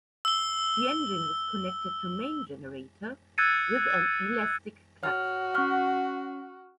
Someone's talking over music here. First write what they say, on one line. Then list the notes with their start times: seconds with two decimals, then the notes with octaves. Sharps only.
The engine is connected to main generator with an elastic clutch.
0.25 E6 G7
3.38 E6 F#6 G#6 A6 C#7 D#7
5.03 F#4 C#5 F6
5.54 C#4 F#5 C#6 F6 F#6